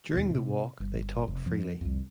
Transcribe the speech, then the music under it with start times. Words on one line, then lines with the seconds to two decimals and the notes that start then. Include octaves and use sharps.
During the walk they talk freely.
0.13 D#2 B2
0.30 A2 C3
0.80 G1
1.28 F1
1.46 F2 F3
1.81 C2 F2